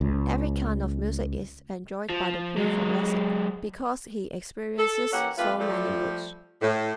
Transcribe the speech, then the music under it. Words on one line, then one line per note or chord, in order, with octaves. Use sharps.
Every kind of music is enjoyed by the pure Thoracic because he experiences so many moods.
C#2
F3
F#3 G#3
A4
E3 A#3 C#4 G4 F#5
F2 A3 F4 G4 B4 F5
F3 G3 A3
A2